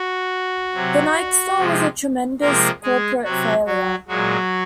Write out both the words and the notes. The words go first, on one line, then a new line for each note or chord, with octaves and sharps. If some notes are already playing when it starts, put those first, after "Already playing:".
The Nike store was a tremendous corporate failure.
Already playing: F#4
C3 F#3
C3 F3 G#3
C3 F3 G#3 A#3 A#4
G#3 G#4
C3 F#3 F#4
F#3 F#4
A#2 F#3 G#3 F#4